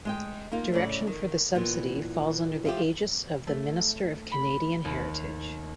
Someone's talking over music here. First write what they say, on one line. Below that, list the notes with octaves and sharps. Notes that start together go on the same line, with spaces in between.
Direction for the subsidy falls under the aegis of the Minister of Canadian Heritage.
G#3 D#5 G5
A#3 D#4 F4
A2 C#3 D5
D#3
A#2 E3 B3
F3 E4 F4 G4
A3
B5
D#2